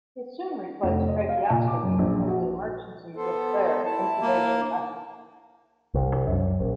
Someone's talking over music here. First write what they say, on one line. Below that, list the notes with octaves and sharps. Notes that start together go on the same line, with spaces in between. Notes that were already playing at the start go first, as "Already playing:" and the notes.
It soon replaced tracheostomy as the emergency diphtheric intubation method.
F1
D#5
F5
A#2
D6
F#2
A#1
F#4
B3 A4 C5
E4 A5
A#3
C2
F#2
A#1